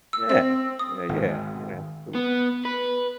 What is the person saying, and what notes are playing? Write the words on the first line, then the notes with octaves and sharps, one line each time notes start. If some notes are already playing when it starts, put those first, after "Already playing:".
Yeah. Yeah, yeah. Yeah. Absolute
E6
C4 E6
D#6
G#1
B3
B4